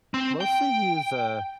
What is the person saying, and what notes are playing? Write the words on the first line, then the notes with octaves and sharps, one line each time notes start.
mostly use, uh,
C4
G5